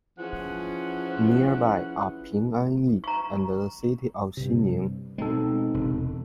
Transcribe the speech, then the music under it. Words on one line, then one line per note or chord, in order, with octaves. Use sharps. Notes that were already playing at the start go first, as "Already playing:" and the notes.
Nearby are Pinganyi and the city of Xining.
E3 F3 C#4 G#4 F#5
A#5 C#6
G2 C3
B2 G#3 C4 D#4 A4
E1 C3